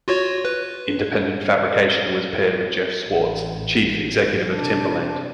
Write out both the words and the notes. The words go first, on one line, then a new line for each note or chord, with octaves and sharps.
Independent Fabrication was paired with Jeff Swartz, chief executive of Timberland.
F4 F#4 C#5
B4
A1
C3 D4